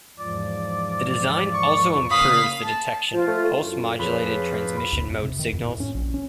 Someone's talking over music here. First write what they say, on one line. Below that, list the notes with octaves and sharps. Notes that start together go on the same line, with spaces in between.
The design also improves the detection of pulse-modulated transmission mode signals.
E2 G#2 F3 D5
C#6
C#3 A#3 F5 B5 D#6
A5
F3 F4
A3
F#2 A2 F4
F2 G#4 B4 C#5
D2
F2
C3
D#3
F2
A2
C#4
A#1
C#4